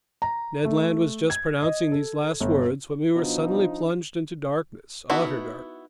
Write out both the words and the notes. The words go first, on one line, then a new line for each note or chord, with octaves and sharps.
Ned Land was just pronouncing these last words when we were suddenly plunged into darkness, utter darkness.
A#5
A3
G#6
D#5
A4
G1
B2 F3 D4 D#4
B3 D#4 E4 F#4 A5 C#6